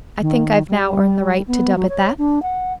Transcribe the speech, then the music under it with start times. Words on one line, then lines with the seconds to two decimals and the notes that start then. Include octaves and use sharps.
I think I've now earned the right to dub it that.
0.21 D#3
0.68 G3
1.47 B3
1.76 F#3
1.89 C#5
2.18 D4
2.42 F#5